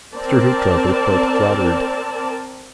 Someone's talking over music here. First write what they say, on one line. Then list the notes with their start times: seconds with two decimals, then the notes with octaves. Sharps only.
Mr. Hoopdriver felt flattered.
0.15 C4 A#4 D5 A5